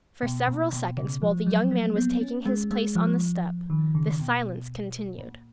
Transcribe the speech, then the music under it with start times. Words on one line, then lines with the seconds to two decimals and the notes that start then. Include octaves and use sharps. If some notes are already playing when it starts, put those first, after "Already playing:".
For several seconds while the young man was taking his place on the step the silence continued.
0.23 B2
0.47 A#2
0.73 B2
0.97 C#3
1.22 F3
1.46 F#3
1.71 A#3
1.96 B3
2.21 C#4
2.45 G#3
2.71 G#3
2.95 F3
3.70 D#3
3.95 C#3
4.19 B2
5.18 A#2